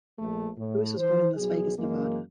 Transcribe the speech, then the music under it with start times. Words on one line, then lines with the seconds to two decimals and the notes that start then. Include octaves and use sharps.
Lewis was born in Las Vegas, Nevada.
0.19 A#1 A3
0.57 A2
0.97 E3 C5
1.35 B1 F#3 G#4
1.77 F#2 E3 G#3 A#3